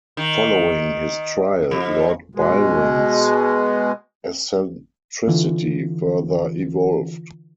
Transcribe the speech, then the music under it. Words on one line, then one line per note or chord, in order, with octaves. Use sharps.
Following his trial, Lord Byron's eccentricity further evolved.
D#3
F2
B2 G#3
D3 E3 F4